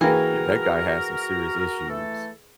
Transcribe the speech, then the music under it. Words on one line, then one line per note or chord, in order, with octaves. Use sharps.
Yeah, that guy had some serious issues.
E3 A#3 F#4 G#4 A#4 B4 G5
E3 A3 A4